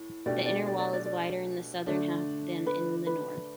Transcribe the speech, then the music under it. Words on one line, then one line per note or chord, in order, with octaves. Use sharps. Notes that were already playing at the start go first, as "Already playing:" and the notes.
The inner wall is wider in the southern half than in the north.
Already playing: A2
B2 A3 D4 G4 D5
D5
D5
D5
D5
D5
D3 A3 D4
B4
B4